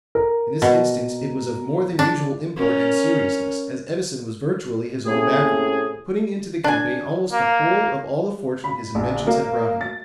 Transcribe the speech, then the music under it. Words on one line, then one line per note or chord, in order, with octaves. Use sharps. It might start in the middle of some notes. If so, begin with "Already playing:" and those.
In this instance it was of more than usual import and seriousness, as Edison was virtually his own "backer," putting into the company almost the whole of all the fortune his inventions had brought him.
A#4
B2
D4
C#4 A#4
A2 C3 A#3 C#4 G#4
D4 G#5
A#3
B5
A#1
A#3
A6